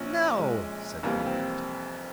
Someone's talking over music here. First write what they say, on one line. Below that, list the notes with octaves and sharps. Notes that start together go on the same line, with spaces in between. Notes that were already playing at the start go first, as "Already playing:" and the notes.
"No," said the Idiot.
Already playing: A#1 A#2 F3 C#4
G#3
F1 F2 E3 G3 A#3
C4